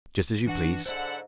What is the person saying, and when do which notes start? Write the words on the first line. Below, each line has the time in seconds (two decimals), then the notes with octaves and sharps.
"Just as you please."
0.46 E3 D4 F#4 F#5
0.86 G#2 D3 E4 A4 C5 F#5